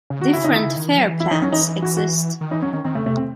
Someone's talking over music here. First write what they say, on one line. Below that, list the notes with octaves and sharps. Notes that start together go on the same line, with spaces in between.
Different fare plans exist.
C#3
D#3 F#4
C#3 E4
D#4
D#3
E4
C#3
D#3
E3
F#3
E3
E4
E3 D#4
F#3 C#4
E3 D#4
F#4
F#4
D#3
E3 D#4
F#3 C#4
D#3 C#4
D#3 C4
C#3 A3
C3 A3
C4